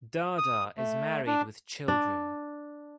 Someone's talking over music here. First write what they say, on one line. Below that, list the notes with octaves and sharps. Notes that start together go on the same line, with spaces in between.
Dada is married with children.
D#6
A3
D4
D4